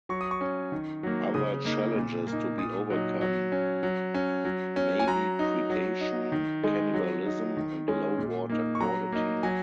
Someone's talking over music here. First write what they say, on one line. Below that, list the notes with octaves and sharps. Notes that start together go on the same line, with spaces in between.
Other challenges to be overcome may be predation, cannibalism, and low water quality.
F#3 C#6
D#6
C#6
C#4
D#3
F#3 A#3
C#3 D#6
A#3 D#4
A#2
A#3
D#4
A#2 D#6
F#3 D#4
F#3
C#4
F#3
C#4
F#3
C#4
G#5
F#3 A#5
D#4
F#3
D#4
D#3
G#3 D#4
F#3
D#4
D#3
G#3 C#4
A#2
A#3 D#4
C#6
F#3 A#5
A#3 D#4
F#3 G#5